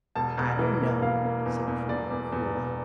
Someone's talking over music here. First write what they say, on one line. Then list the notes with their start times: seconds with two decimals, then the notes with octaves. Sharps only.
"I don't know," said Prudy, coolly.
0.15 E1 A5
0.38 E1
0.59 E3
0.81 A#3
1.02 E1 F5
1.24 A#3
1.46 E2
1.68 E2
1.89 E1 D5
2.11 E2
2.32 E2
2.55 E1